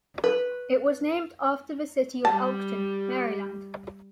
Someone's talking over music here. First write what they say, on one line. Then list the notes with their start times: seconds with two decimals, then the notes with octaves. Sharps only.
It was named after the city of Elkton, Maryland.
0.24 B4
2.25 G3 A5